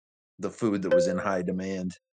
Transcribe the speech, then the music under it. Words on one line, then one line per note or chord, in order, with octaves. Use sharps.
the food that was in high demand.
C5